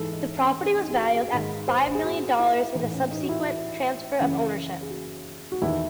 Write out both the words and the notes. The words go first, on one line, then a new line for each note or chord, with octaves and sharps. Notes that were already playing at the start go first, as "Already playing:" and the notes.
The property was valued at five million dollars in a subsequent transfer of ownership.
Already playing: G#2 E3 A4
D#4
C#4
C#4
D#4
G#4
F#4
G#4
G#2 D#3
C5
G#4
F#4
E4
A2 E3 D#4
C#4
D#4
F#4
E4
F#2 C#3 E3
G#4
F#4
F#4
E2 D#3 E4